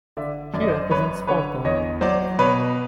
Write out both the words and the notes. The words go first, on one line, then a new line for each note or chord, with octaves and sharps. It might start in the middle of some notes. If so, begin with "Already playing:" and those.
She represents Sparta.
D3 D5 E5
F#2 D5
D#5
C5 D5
F#2 B4 C#5
D3 B4 C#5
E2 C#5 D#5
F#3 C5 D5
B2 B4 C#5